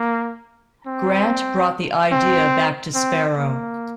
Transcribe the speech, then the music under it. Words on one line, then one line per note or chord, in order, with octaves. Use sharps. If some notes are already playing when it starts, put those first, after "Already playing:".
Grant brought the idea back to Sparrow.
Already playing: A#3
C4
C4
C4
A#3